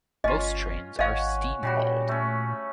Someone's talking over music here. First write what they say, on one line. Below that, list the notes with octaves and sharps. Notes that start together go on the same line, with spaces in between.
Most trains are steam-hauled.
G1 C#4 F4 D#5
G#1 C#5 D#5 F5 F#5 G#5
A#2 C#3 G3 F#4
A3 C#4